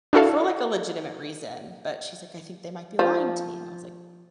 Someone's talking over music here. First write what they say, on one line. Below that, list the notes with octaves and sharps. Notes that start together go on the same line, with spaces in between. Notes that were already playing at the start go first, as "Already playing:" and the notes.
For, like, a legitimate reason, but she's, like, "I think they might be lying to me," and I was, like,
D4 E4 F#4 A4 F5
F3